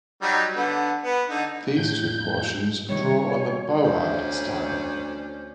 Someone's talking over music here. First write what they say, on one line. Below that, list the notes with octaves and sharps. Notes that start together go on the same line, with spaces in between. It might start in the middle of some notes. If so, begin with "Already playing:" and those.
These two portions draw on the Beaux-Art style.
F#3 G3 D#4
D3 B3
B3
D3 D#4
A2 G6
D#3 G3 C#5
D2 C#4 C5 D5